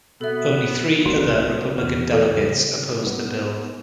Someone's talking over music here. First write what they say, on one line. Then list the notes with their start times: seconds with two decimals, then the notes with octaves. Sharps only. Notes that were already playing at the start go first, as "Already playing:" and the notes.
Only three other Republican Delegates opposed the bill.
0.21 B2 B3 A4 E5
1.06 D1 C2 A#3 F#4
1.78 E2 B3 B4
2.13 A4
2.35 C#3 G3
3.07 B3